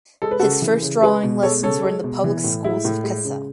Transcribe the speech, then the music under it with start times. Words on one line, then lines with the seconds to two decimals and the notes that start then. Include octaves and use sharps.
His first drawing lessons were in the public schools of Kassel.
0.22 G#3 A4
0.31 B4
0.40 C#3 F#4 A4
0.62 E3
0.82 C#3
1.02 G#3 G#4 B4
1.23 B2
1.43 G#3 A4 C#5
1.63 C#3 A4 C#5
1.83 G#3
2.04 B2
2.24 E3
2.44 A2
2.64 G#3 E4
2.85 A2
3.04 G#3
3.25 C#3